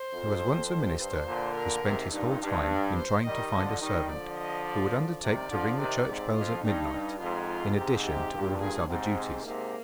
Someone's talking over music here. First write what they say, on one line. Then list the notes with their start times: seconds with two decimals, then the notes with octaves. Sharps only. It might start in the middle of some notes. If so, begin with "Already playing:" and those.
There was once a minister who spent his whole time in trying to find a servant who would undertake to ring the church bells at midnight, in addition to all his other duties.
Already playing: C5
0.13 F2
0.98 G2 C5
1.26 A#2 D3
1.55 A#4
1.83 G#2 C3
2.11 G2 A#2 D#4
2.40 G2
2.68 D4
2.97 C5
3.25 D#3 G3 D#5
3.53 D3 F3
3.81 D#3 G3 D#5
4.09 D3 F3 D5
4.38 D#5
4.66 D5
5.22 C3 D#3 D5
5.50 D3 F3
5.78 C3 D#3 D5
6.07 G#2 C3
6.35 F2 F4
6.64 G2 D#4
6.92 G2
7.19 F2 G#2 F4
7.48 F4
7.76 G#2 C3 G4
8.04 G4
8.33 G2 A#2
8.60 G#4
8.89 G#2 C3 C4
9.45 G#2 C3 A#3